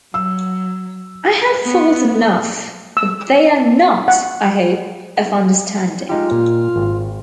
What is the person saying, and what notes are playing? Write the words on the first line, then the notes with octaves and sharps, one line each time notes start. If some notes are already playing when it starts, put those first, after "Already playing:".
I have faults enough, but they are not, I hope, of understanding.
F#3 E6
B3
E6
F#5
G#3 D#4 F4 G4
A#2
G#1